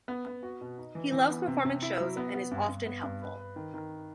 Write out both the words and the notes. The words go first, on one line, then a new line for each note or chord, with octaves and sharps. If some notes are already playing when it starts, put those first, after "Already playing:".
He loves performing shows and is often helpful.
B3
B3
F#4
B2
D#4
E3
E3
B3
C3
C3
E4
F#3
B3
B3
G2
G2
B3
G2
B4
B4
D#3
D#3